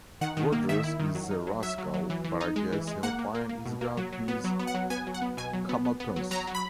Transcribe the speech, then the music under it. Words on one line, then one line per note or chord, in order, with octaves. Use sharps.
Rogers is a rascal, but I guess he'll find he's got his comeuppance.
D#3 F#5
D#3
A#3
D#3 E5
E4
D#3
F#3
D#4
F#3
F#3 E5
F#3
F#3
E3
E3
D#4
G#3
E3
G#3
A#3 F#5
A#3
A#3
A#3
B2
A#3
F#3
F#3
B3
F#3
B3
F#5
F#3
B3 G#5
F#3
F#5
B3
B2 G#5
F#3
B3
B3
B3
F#3
F#3 A#5
F#3
B5